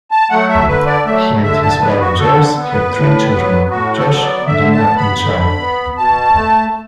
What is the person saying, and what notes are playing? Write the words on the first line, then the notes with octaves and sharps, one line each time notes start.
He and his wife Joyce had three children - Josh, Deena and Shari.
A5
F#3 A3 F#5
E5
D3 B4
D5
F#3 A3 E5
D3 E5
A5
B3 B4
F#4
D3 A4
B3
B4
A2
F#3 B3
A2 F#4
A4
F#3 B3
D5
D3 E5
A5
B3
B5
D3
B3
B2 A5
A3